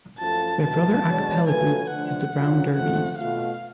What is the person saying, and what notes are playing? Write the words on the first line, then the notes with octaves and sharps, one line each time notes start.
Their brother a cappella group is The Brown Derbies.
F#2 F3 A3 F4 A4 A5
B2 F#3 A3 A5
B2 G#3 D4 F#4 C#5
F#3 A3 F4 B4 G#5
D3 F3 A3 D4 F#5
D2 C#3 F#3 C#4 F4
F2 F3 A3 F#5
B2 A3 F4 F5